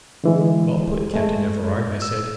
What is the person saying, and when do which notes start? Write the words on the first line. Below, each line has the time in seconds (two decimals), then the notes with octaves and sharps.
"Well put, Captain Everard," I said.
0.24 D3 E3 G#3
1.13 G#3 A3
2.02 E6